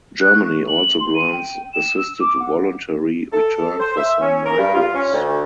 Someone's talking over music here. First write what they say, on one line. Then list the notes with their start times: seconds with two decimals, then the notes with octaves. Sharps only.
Germany also grants assisted voluntary return for some migrants.
0.20 F#6
0.34 C#6
0.67 F#7
1.00 C6
1.14 D#7
1.32 G5
1.73 E7
1.96 E6
2.20 D6
2.40 F#5
3.32 A4
3.79 C5
3.96 E5
4.21 C#4
4.45 A#4
4.58 G2
4.74 F4
4.94 C#4
5.13 D2